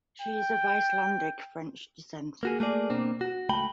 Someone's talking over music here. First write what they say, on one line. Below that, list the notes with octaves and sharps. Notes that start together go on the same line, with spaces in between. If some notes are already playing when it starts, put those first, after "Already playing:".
She is of Icelandic-French descent.
G5
A#3 F#4 G#4
A3 A#3 G#4 D5
B2 A#3 C4 D4
F#4
C#2 A3 G5 B5